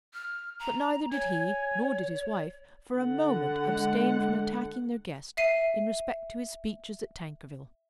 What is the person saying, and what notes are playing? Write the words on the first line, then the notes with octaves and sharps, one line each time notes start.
But neither did he nor did his wife for a moment abstain from attacking their guest in respect to his speeches at Tankerville.
F6
A#5
C#5 G#5
D3 F#5
G#3
E5 C7 D#7